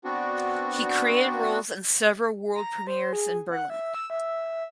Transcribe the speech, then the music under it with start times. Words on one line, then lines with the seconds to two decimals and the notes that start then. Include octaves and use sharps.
He created roles in several world premieres in Berlin.
0.04 B3 C4 D4 F#4
2.54 A#5
2.87 C5
3.13 G#4
3.51 F#5
3.70 E5
3.94 E6
4.10 E5